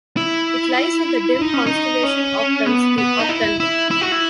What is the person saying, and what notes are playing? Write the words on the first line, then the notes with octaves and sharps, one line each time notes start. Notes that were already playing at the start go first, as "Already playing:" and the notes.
It lies in the dim constellation Octans, the Octant.
E4
D#4
C#4
D#4
C#4
B3
B3
D#4
E4
E4
E4
F#4
E4